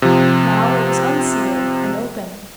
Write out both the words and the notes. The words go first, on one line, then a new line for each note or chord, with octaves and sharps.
Now it was unsealed and open.
C3 F3